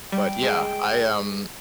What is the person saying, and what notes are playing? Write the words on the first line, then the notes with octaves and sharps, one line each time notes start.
But, yeah, I, um,
G3 G5
G#3